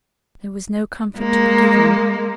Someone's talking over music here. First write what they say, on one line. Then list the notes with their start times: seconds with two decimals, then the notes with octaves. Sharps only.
There was no comfort to be given.
1.18 G#3 A#3